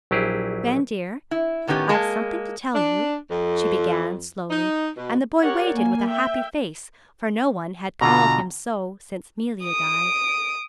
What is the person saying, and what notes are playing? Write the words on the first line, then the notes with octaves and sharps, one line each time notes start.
"Ben, dear, I've something to tell you," she began, slowly; and the boy waited with a happy face, for no one had called him so since 'Melia died.
A#1 F#3 E4 G4 G#4
E4
A2 D#3 B3 C#4 G4
G#3 A#3 A5
D4
F2
D#4
B2
G4 A#4 C#5 D5 F#5
A#3 G#5
E5 G5
B2 D3 F4 A#5
D#6 D7